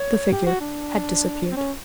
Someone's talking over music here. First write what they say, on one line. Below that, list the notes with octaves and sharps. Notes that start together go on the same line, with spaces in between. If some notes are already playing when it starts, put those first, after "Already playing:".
The figure had disappeared.
Already playing: C#5
G4
F#4
D4
C4
C#4